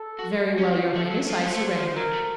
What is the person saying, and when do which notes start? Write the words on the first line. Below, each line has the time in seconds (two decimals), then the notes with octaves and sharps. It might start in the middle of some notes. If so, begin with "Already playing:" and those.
"Very well, your Highness, I surrender."
Already playing: A4
0.19 F#4
0.45 F#4
0.58 C#4
0.69 C4
0.95 A3 A4
1.11 F#3
1.29 F3
1.45 F#3 C5
1.54 A3
1.62 F#3
1.79 F3
1.96 F#3 A#4
2.13 A3